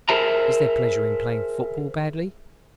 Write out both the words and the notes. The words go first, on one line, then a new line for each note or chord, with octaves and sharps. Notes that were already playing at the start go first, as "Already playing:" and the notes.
Is there pleasure in playing football badly?
G#4 A#4 C5 E5 A5 A#5